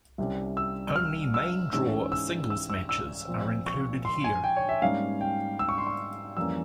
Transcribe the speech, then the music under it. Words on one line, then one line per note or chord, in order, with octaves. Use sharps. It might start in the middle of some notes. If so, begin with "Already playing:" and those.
Only main draw singles matches are included here.
C2 C3 G3 C#4
E6
F6
E6
G#2 E3 G#3 C#4 E6
E6
E6
E6
E6
A#2 F3 C4
C#6
C6
G#5
G5
C#5
E5
G#2 G3 A#3 C#4 F5
G5
E6
C#6
C6
C#6
F2 E3 G3 A#3 C#4 E6